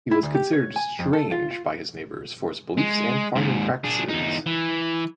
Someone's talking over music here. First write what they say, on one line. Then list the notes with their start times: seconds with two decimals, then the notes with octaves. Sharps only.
He was considered strange by his neighbors for his beliefs and farming practices.
0.11 E4
0.23 D2
0.35 G4
0.53 C#5
0.76 G#5
0.99 F2
1.13 A4
1.32 F4
1.51 F4
2.78 G#3
3.36 D#2 G#2
3.84 D4 G#4
4.09 E2 D#4
4.46 E3